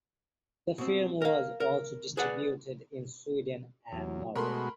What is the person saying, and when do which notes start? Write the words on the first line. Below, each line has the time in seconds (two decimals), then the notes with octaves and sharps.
The film was also distributed in Sweden and Norway.
0.78 B2 C4
1.22 A#4 F5
1.60 A#4
2.17 G#4 B4 D5 F#5
3.92 E2 C3 F#3
4.36 B2 G#3 A3 F#4 A4 A#4 B5 C6